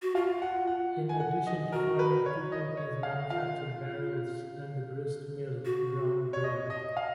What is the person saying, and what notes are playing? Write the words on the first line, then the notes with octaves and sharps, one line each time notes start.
In addition to farming, two companies manufactured barrels and a grist mill ground grain.
F#4
F4 F5
F#5
F#5
G#5
F#5
D#5
F#4 A#4
B4
C#5
D#5
C#5
F5
F4 F5
F#4
C#5
D#5
D#5
F5